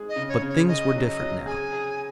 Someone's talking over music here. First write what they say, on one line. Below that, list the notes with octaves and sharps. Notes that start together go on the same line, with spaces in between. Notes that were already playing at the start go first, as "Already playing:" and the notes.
But things were different now.
Already playing: G#3 D#4 G#4
D#5
C#3
C#5
C#3
C#5
C#4 D#5
F#3
D#5
F#3
G#4 G#5
G#4